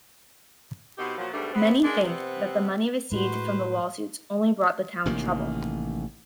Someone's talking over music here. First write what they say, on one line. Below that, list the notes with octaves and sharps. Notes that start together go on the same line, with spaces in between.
Many think that the money received from the lawsuits only brought the town trouble.
B2 B3 C4 D#4 F#4 G4
A#2 F3 F#3
G#2 B2 G3 A3 D4
B3 C4
G#3 A#3 D4
C3 B3 C4
A2 G#3 F#4 B4 C5
A1 C3 D#3 A#3